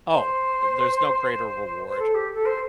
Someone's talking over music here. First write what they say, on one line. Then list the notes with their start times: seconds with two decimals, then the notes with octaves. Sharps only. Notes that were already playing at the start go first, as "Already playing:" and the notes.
Oh, there's no greater reward.
0.14 C5
1.88 C5
1.99 A4
2.15 G4
2.34 A4
2.46 C5